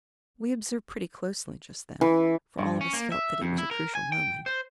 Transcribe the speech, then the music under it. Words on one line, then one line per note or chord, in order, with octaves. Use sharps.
We observed pretty closely just then, for all of us felt that it was a crucial moment.
E3
G2
C#4
A#3
E5
F2
E4
A#4
G#5
G5
C5